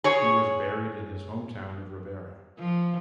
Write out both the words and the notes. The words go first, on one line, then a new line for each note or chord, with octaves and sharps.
He was buried in his home town of Ribera.
G#4 C#5
F3